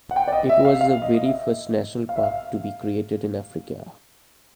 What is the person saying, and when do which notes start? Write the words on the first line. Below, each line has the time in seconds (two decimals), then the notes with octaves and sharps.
It was the very first National Park to be created in Africa.
0.11 F#5
0.16 G5
0.28 D5
0.32 D#5
0.49 E5
0.65 F5
0.81 F5
1.02 D#5
1.14 D#5
1.24 E5
2.09 F5
2.16 E5
2.23 F5